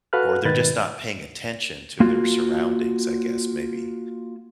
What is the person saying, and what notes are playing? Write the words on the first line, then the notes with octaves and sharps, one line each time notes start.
or they're just not paying attention to their surroundings, I guess, maybe.
F#4 A4 B4 F5 F6 F#6
G#2 B2 D#3 B4 A6
A#3 F4 F#4